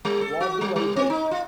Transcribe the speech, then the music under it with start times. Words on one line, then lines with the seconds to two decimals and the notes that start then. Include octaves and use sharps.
What do I buy?
0.05 G3
0.21 A4
0.40 F#4
0.61 G3
0.76 G3
0.96 C4
1.10 D#4
1.31 F4